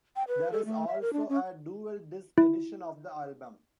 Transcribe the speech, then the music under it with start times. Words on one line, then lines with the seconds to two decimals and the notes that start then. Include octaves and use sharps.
There is also a DualDisc edition of the album.
0.16 G5
0.28 B4
0.52 A4
0.65 A3
0.87 E5
1.01 A#4
1.13 D4
1.29 C#4
2.38 E4